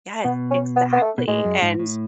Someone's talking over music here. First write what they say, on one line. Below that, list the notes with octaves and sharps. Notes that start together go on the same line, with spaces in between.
yes, exactly, and
B2 B3
C#4
B3
B3
A3
B2
A2 G#3
F#2
G#2
A2